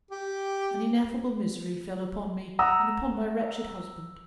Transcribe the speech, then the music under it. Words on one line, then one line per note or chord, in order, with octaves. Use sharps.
An ineffable misery fell upon me and upon my wretched husband.
G4
F#5 A#5 D#6 E6